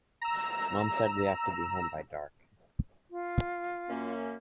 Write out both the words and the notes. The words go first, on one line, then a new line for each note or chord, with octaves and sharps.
Mum said we have to be home by dark.
A#5 E6
F4
F#2 A#3 C#4